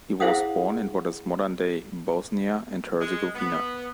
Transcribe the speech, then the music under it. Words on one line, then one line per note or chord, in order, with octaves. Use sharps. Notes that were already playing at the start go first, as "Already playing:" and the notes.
He was born in what is modern-day Bosnia and Herzegovina.
E4 G#4 C5 F5 F#5 D#6
G#3
B3